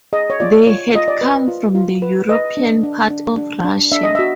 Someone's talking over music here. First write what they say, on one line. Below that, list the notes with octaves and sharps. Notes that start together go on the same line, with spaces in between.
They had come from the European part of Russia.
G#4 D#5
C#5
F4 D5
F4 C#5
F4 D#5
D5
B4
F4
F4
B4
B4 D#5
D4
D4
D4
D4
D4
D4 E5
D#5
F#4 E5